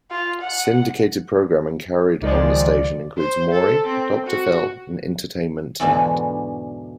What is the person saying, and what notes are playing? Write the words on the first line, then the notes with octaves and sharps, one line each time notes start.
Syndicated programming carried on the station includes "Maury", "Dr. Phil" and "Entertainment Tonight".
F4
F#5
C#2 D#3 F3 G#3 D5
C5
A4
C4
F#4
E2 G#2 B2 D3 E3 D4